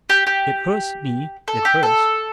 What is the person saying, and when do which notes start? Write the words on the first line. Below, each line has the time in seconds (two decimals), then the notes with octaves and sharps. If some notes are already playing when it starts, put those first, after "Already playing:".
It hurts me, it hurts.
0.10 G4
0.27 G4
1.48 A4
1.65 G4
1.83 A4